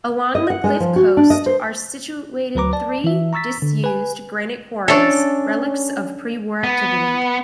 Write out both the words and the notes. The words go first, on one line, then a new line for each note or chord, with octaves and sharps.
Along the cliff coast are situated three disused granite quarries, relics of pre-war activity.
D#5
F#5
G#3
F3
F#4
D4
D#5
C5
D2 F#3 B4 A#5 D6
D5 A5
E3 E5
A#5 C#6 E6 A6 B6
D3
B4 G#5
C#4 D4 A4 C#5 E5
B3